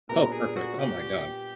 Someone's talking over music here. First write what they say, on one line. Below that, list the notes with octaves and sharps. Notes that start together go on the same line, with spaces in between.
Oh, perfect. Oh my god.
A#2 G3 B3 D4 A#4
G#4
F#4
G4